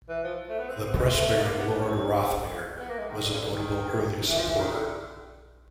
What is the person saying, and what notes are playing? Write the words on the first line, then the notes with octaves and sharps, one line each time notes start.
The press baron Lord Rothermere was a notable early supporter.
E3
F3
A3
B3
C4
C4
B3
G#3
A3
A3
A#3
B3
C#4
C4
B3
A#3
G#3
D#3
D3
C#3
D3
D#3
E3
F3
E3
D#3
D3